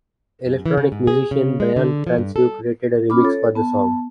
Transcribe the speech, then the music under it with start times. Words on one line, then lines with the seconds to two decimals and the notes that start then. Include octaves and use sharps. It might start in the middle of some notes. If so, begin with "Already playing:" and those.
Electronic musician Brian Transeau created a remix for the song.
0.46 F#2
0.66 E3
0.77 C#3
0.92 G#2
1.07 G#4
1.31 C#3
1.60 G#3
1.76 D3
2.07 F3
2.18 G2
2.36 A4
3.10 C#4 F4 B5 D6
3.23 A4 C#5
3.55 B3 A5